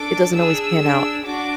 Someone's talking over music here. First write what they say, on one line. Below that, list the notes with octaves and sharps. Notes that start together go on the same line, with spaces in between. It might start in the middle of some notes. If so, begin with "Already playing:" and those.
it doesn't always pan out
Already playing: D4 A4 D6
D4 G#4 E6
D4 G#4
D4 F#4 D6